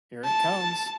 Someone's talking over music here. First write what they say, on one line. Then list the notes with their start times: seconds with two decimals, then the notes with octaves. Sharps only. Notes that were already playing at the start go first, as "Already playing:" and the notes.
Here it comes!
0.24 A5